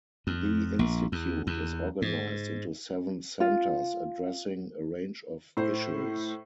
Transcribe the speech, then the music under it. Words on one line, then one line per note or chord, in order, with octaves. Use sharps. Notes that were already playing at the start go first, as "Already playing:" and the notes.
The Institute is organized into seven centers addressing a range of issues.
F2
A#1
E2
E2
G#2
F4
A2 C5